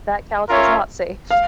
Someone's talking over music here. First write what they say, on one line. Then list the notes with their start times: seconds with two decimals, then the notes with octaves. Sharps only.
That couch was not safe.
0.49 C#4 F4 A#4 C#5 E5
1.31 F5